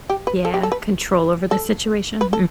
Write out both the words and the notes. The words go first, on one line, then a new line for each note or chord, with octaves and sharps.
yeah, control over the situation,
G4
B4
A4
G4
A4
B4
A4
B4
A4